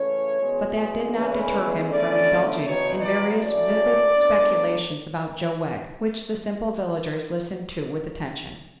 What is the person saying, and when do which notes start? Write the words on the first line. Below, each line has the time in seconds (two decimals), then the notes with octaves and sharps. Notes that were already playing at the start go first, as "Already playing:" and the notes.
But that did not deter him from indulging in various vivid speculations about Joe Wegg, which the simple villagers listened to with attention.
Already playing: C#3 E3 A3 C#4 C#5
0.40 E2 B2 G#3
1.15 E2 C#3 E3 G#3 C#4 B4
1.89 E2 D3 A3 C#4 D5
2.63 E2 B2 F#3 C#5
3.00 D5
3.38 A2 F#3 A3 C#4 D5
4.13 A2 F#3 B3 D4